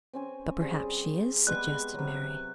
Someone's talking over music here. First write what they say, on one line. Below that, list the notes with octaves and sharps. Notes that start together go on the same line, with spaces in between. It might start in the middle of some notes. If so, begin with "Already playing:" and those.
"But perhaps she is," suggested Mary.
C4 C#4 G#5
G3 C4 G#4
G3 G#3 B3 F#6
C3 F#3